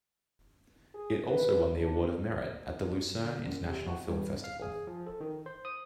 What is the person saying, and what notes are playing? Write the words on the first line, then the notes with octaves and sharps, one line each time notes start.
It also won the Award of Merit at the Lucerne International Film Festival.
G#4
B4
D4
D3
F#2
C3
F#4
G2
F5
G#4
F3
A4
D#3
C5
D#6